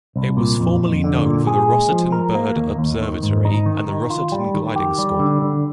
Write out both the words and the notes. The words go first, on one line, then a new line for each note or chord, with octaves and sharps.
It was formerly known for the Rossitten Bird Observatory and the Rossitten gliding school.
C2
A#2
F2
F2
D3
A#2
G#4
G#3
F3
A#4
A#3
D#2
D#2
D#3
G#2
D#4
D#3
D#3
F4
G3
D#3
G4
G3
D3
D3